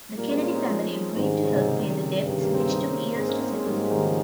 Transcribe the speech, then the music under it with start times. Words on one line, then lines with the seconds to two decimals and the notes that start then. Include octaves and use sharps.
The Kennedy family agreed to help pay the debts, which took years to settle.
0.18 A#2 G3 A#3
0.31 G#3 C4
0.42 C#4 F4
0.55 C4 D#4
0.67 F3 G#3
1.17 G#2 D#3 G3
1.42 C#3
1.55 C3
1.67 C#3
1.80 C3 D#3
1.91 C#3
2.04 C3
2.17 G2 C#3
2.29 C3 D#3
2.41 G3 A#3
2.54 G#3 C4
2.67 C4 D#4
2.91 A#3 C#4
3.16 G#2 G#3 C4
3.28 A#3 C#4
3.41 C4 D#4
3.48 C#4
3.53 G#3 C4
3.66 G#2 G3 A#3
3.91 D#3 G3
4.03 C#3 F3